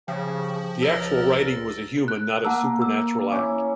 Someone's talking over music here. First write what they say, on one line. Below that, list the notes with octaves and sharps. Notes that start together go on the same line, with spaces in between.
The actual writing was a human not a supernatural act.
C#3 F3 G4
C#2 A#4 E6 A6 A#6
F#6
A#3 F#5 A5 E6
E6
C#4 E4 D6